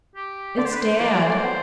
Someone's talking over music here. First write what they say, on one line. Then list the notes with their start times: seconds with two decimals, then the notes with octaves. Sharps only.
It's dad.
0.16 G4
0.57 D3 D5
0.65 C5
0.73 B4
0.82 C5
0.96 C5
1.00 E3 D5
1.15 F#3
1.22 C5
1.30 A3 D5
1.38 C5
1.44 B3